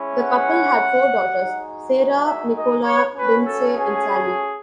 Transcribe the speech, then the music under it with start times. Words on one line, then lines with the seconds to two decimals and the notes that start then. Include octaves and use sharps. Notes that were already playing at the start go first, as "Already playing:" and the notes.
The couple had four daughters: Sarah, Nicola, Lindsay and Sally.
Already playing: G#3 C#4 E4
0.17 F#5
1.36 G#3 D#4 F#4
2.25 E5
2.54 D#5
2.84 C#5
3.14 A3 C#4 F#4 B4
3.43 A4
3.74 G#4